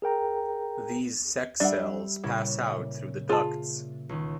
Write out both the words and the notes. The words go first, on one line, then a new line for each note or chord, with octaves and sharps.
These sex cells pass out through the ducts.
G#4 A#4 G5 A#5
G3 D4 D5 E5 F#5
A#2 C#3 E4
F4 G#4 A5
C#2 D#3